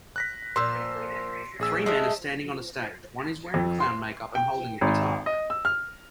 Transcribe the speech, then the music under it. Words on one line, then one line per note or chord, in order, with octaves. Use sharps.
Three men are standing on a stage, one is wearing clown makeup and holding a guitar.
F#6 A#6 B6
A#2 F3 C6 E6
A#1 G#4 E6
G#3 A3 D#5 E5
F2
C6
G5
G#1
D#5
E6
F6